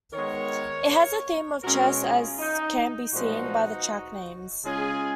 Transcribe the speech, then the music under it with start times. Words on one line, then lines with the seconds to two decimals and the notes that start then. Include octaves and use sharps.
It has a theme of chess as can be seen by the track names.
0.13 D#3 G#3 B3 A#4 C#5
1.63 B2 G#3 C#4 F#4 A#4
2.01 F4 G#4
2.39 D#4
3.13 A#2 F3 G#3 B3 D#4 F#4
4.63 C#3 G#3 C#4 F4 G#4